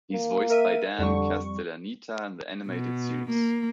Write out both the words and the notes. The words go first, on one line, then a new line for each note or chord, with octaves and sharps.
He is voiced by Dan Castellaneta in the animated series.
A#3
A#4 E5 D#7
F2 D3 G3 C#6
B2
A#3